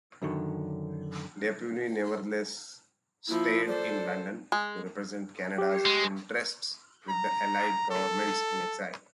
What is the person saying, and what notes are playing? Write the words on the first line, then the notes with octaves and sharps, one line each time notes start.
Dupuy nevertheless stayed in London to represent Canada's interests with the Allied governments-in-exile.
F#2 D3 D#3 C#5
F3 A#3 E4
A4 C5 D5
G#3
G4
G#3
A#5
A4